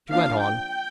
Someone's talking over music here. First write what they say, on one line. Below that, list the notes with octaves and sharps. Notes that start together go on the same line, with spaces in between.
She went on.
F3 A#3 D4 F5
G5